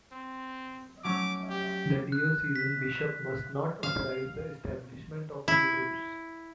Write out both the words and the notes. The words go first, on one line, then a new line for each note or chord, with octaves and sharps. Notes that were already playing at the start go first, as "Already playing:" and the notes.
The diocesan bishop must not "authorize the establishment of new groups".
C4
F#3 A3 C#4 D6
G4
F#6
B6
F5
E4